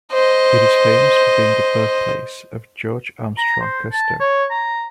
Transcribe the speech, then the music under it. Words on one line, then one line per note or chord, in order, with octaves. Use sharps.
It is famous for being the birthplace of George Armstrong Custer.
C5 D#5
A#5
C5
A5
C#5
A#5